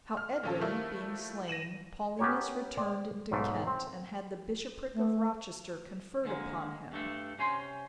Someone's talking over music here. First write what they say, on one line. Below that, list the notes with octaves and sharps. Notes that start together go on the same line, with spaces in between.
How Edwin being slain, Paulinus returned into Kent, and had the bishopric of Rochester conferred upon him.
F6
A#2 D#3 C#4 F4 A4
D#3 F3 G3 A3 A#3 E4
A#6 D#7 E7 F#7
B3 C#4 G4 A#4 C#5
C5 D5 G5
B1 G#2 A3
C4
A3
D3 G#3 A#3
G2 A3 D4 A4
C3 C#4 C5 G#5 C6